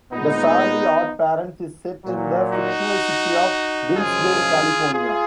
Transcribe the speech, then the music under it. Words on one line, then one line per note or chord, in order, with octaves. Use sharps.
"The Fairly OddParents" is set in the fictional city of Dimmsdale, California.
A#2 G#3 B3 D#4
A#2 F#3
D#4 F#4
F#2 C#3 F3 G#3 F4 G#4
F4 G#4